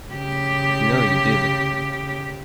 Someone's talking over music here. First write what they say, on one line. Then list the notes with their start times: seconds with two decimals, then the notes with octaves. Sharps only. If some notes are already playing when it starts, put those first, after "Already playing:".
You know you did.
0.12 C#3 G4